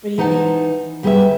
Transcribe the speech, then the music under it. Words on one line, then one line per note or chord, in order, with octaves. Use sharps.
What do you think?
E3 D#4 C5 F#5 A5
D2 G3 G#4 A#4 B4 E5